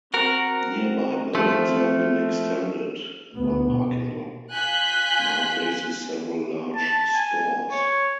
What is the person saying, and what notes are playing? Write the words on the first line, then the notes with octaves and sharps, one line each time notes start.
Nearby buildings have been extended, and one parking lot now faces several large stores.
C4 F#4 A#4
F3 A3
D2 B3
B2
F4 G#5 F#6 G6 B6
A5
G#5
C#5